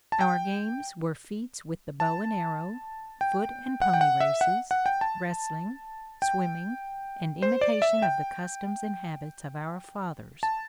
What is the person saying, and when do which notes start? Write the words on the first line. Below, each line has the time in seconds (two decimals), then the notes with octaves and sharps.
Our games were feats with the bow and arrow, foot and pony races, wrestling, swimming and imitation of the customs and habits of our fathers.
0.12 A5
0.21 G5
2.00 A5
3.21 G5
3.82 F#5
3.94 G5
4.01 F#5
4.20 E5
4.41 F#5
4.71 F#5
4.86 G5
5.01 A5
6.22 G5
7.42 C5
7.61 D5
7.82 E5
8.02 G5
10.43 A5